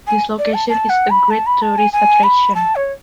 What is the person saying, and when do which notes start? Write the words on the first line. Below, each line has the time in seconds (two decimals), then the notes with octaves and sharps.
This location is a great tourist attraction.
0.07 G#5
0.38 D5
0.53 A5
0.69 A5
0.89 F#5
1.10 B5
1.30 A5
1.46 B5
1.61 A5
1.77 G#5
1.92 G#5
2.23 B5
2.54 A5
2.75 C#5